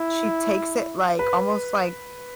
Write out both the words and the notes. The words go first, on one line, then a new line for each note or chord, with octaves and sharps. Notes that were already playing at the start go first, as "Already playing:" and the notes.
She takes it, like, almost like
Already playing: E4
B4